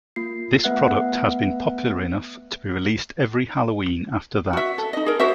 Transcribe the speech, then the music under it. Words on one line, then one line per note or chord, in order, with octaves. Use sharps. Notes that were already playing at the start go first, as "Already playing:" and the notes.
This product has been popular enough be released every Halloween after that.
A#3 F4 C7
A3 B3 B4 E5 F#5 F#6
F#4 E5
A4
D#4 D#5
G#4 A#4
F#4 C5 E5